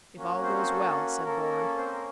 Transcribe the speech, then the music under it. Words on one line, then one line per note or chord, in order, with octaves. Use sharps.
"If all goes well," said Bourne.
A#3 C#4 F#4
C4 C5
C4 C5
A4
A#3 C#4 A4 A#4
A#4
A4
C4 C5
A#4